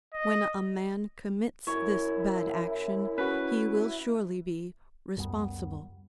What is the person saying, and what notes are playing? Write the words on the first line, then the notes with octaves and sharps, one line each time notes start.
When a man commits this bad action, he will surely be responsible.
D#5
F#2 E4 C#5
C#4 F#4 B4
C#2 F#2 G3 B3